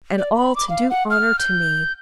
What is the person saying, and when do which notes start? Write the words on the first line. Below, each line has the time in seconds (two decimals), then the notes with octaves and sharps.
And all to do honour to me!'
0.18 D5
0.36 B5
0.56 D6
0.70 F5
0.90 F#5
1.10 F6
1.39 G6